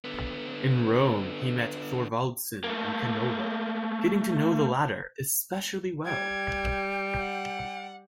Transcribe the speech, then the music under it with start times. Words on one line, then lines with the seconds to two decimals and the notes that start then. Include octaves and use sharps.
In Rome he met Thorvaldsen and Canova, getting to know the latter especially well.
0.04 D3 B3
2.64 A3 A#3
6.06 G3 G5 G#6
7.19 F#5